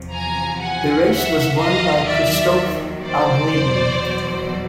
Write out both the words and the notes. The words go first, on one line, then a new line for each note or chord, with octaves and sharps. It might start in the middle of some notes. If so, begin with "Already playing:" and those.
The race was won by Christophe Auguin.
Already playing: E2 C3 F3
G#5 A#5
F#5 G#5
E5 F#5
D#2 D#3 F#3 D#5 F5
D5 E5
C5 D5
E2 B2 F#3